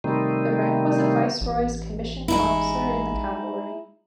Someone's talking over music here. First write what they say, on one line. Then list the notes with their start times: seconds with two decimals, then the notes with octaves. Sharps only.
The rank was a Viceroy's commissioned officer in the cavalry.
0.04 C3 D#3 G3 A3 C4 D#4
1.41 A1
2.28 G#3 D#4 E4